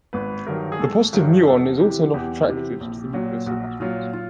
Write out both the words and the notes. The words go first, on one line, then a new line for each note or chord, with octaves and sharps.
The positive muon is also not attracted to the nucleus of atoms.
G#1 B4
G2 D#3 F#3 A#4
G#4
G#1 A4
G2 D#3 F#3 A#4
E2 A4
C3 E3 G4
E2 G4
C3 E3
A#1
A#2 F#3
A#1 F#4
A#2 F#3 F4
F4